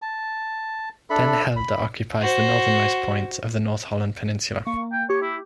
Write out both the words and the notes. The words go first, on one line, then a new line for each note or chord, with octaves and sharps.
Den Helder occupies the northernmost point of the North Holland peninsula.
A5
D4 A4 E5 B5
B5
F#4 C5
A#3 C#6
G5
G4 C#5
E4